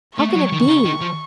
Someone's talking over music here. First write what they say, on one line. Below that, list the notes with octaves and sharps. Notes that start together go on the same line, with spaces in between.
How can it be?
A3 C#6
F#3
D#3
C#3
D#3
F3